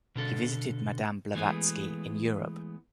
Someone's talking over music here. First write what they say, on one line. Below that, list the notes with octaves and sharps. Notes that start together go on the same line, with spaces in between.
He visited Madame Blavatsky in Europe.
B2 D3 A4
E3 G#3 A3 B3